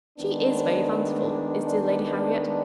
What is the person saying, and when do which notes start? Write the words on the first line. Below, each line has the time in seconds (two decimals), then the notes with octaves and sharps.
She is very fanciful, is dear Lady Harriet!
0.18 D#3 G#3 B3 D4